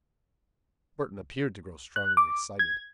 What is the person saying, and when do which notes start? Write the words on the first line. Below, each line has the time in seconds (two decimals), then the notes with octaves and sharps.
Burton appeared to grow strongly excited.
1.96 F#6
2.17 D6
2.59 G#6